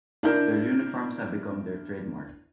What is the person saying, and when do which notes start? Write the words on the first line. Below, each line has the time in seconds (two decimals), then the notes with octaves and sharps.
Their uniforms have become their trademark.
0.23 D4 E4 A#4 G6